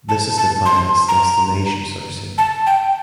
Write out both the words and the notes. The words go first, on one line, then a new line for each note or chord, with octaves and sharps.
This is defined as "destination" sourcing.
A5
A5
C6
A#5
A5
G5